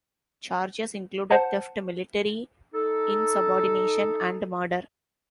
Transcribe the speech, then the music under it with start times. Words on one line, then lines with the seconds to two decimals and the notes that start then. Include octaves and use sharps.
Charges included theft, military insubordination, and murder.
1.31 C5 F#5 A5
2.74 D#4 A4